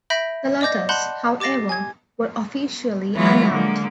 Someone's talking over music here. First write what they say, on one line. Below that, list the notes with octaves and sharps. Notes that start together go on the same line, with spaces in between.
The Lottas, however, were officially unarmed.
E5 B5 G6 A#6 B6 D7
D5 D#5 D6 G6 A#6
F#5 A5 B5 C6 F#6 G6
G4 D6 A6 A#6 C7
G#5 G#6
E3 F#3 G#3 B3 E4 F4
D3 G#3 A#3